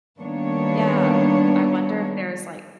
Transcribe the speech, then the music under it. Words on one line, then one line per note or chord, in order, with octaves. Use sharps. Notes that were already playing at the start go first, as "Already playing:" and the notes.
Yeah. I wonder if there's, like
D#3 G3 A#3 B3 D4 C#5